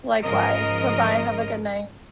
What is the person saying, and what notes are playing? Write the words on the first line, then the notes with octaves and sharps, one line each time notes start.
likewise. Bye-bye, have a good night.
G#2 C#3 F3 A#4 D#5